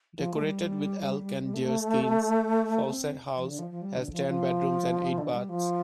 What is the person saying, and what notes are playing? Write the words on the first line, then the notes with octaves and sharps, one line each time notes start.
Decorated with elk and deer skins, Fawcett House has ten bedrooms and eight baths.
F3
A3
G3
A3
C4
F3
D3
F3
F3
G3
D3
F3
F3
D3
G3
F3